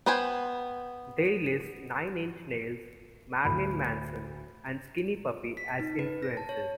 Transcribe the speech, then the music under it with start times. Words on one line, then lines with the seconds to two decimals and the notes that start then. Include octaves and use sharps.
They list Nine Inch Nails, Marilyn Manson and Skinny Puppy as influences.
0.06 B3 B4 C5 G5 G#5
3.45 D2 A2 B5
5.57 B6
5.80 D#4
5.99 B4
6.23 A#6
6.37 A5
6.49 C#5